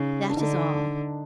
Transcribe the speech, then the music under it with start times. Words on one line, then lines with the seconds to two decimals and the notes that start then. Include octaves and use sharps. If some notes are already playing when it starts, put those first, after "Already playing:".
That is all.
Already playing: C#3 D#4
0.30 D4
0.37 D3 D#4